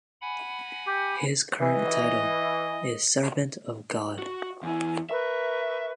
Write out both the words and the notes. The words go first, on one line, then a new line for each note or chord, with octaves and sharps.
His current title is Servant of God.
F#5 G#5 B5
G4
E3 D#5
F#4
E2 E4 G#5
A#4 B4 E5 C#6